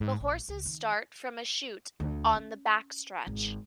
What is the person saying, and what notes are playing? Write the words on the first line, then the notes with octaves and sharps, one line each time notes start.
The horses start from a chute on the backstretch.
G#2
A#1
C#2
D#3
D2
C#4
G#1